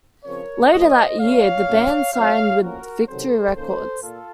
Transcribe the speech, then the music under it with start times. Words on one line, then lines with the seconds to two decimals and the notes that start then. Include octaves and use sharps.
Later that year, the band signed with Victory Records.
0.24 C#3 F3 C4 A#4 C#5
0.72 A2 F3 A3 C5 D#5
1.20 C#3 A3 C4 C#5 F5
1.67 A#2 F#3 A3 C#4
2.14 A#2 F#3 C4 C#5 F5
2.61 A2 F3 A#3 C#4 F#4 A#4
3.08 C3 D#3 F#3 C4 A4 C5
3.56 D#3 A#3 C#4 A4 C5
4.02 A#2 F4 A4